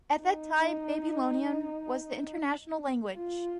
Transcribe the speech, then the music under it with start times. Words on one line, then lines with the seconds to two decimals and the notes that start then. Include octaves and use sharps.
At that time Babylonian was the international language.
0.21 D#4
3.16 F4